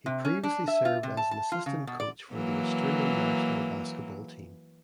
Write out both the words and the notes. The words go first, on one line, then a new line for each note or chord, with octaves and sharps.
He previously served as an assistant coach for the Australian national basketball team.
C3
C#4
D4
E5
F4
C3
A5
A5
F4
C#3
B2
D5
E3 F#3 A#3